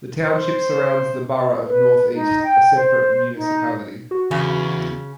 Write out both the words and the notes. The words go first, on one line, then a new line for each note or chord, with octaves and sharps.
The township surrounds the borough of North East, a separate municipality.
C5
B4
D#4
G5
C5
D#4
F#4
E2 C#3